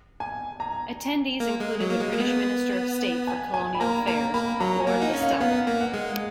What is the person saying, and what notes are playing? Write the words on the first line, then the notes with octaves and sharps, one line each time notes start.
Attendees included the British Minister of State for Colonial Affairs, Lord Listowel.
G#5
A#5
A#3
G#3
F#3
A#3
G#3
A#3
B3
G#5
G#5
B5
A#3 A#5
A#3 A#5
A#3 B5
F#3 A#5
G#5
A#3
D#4 F#5
C#4
F5
B3 F5
A#3
F#5
G#3